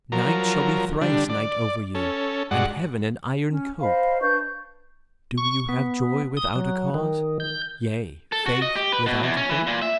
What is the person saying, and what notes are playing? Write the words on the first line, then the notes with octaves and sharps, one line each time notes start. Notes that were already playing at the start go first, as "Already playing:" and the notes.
"Night shall be thrice night over you, And heaven an iron cope. Do you have joy without a cause, Yea, faith without a hope?"
F3 F#3 A#4
D3 G3 D4
D5
C#4 A4
G2 G#3 F#4 D5 F#5
C#4
C5 D#5 F5 B5
D4 B4 C#6 G6
C#6
B3
D#6
F#3
D#3
G6
A4
F#4
D#5
G4
B4
B2
E2
C#4
E3
A#2
E5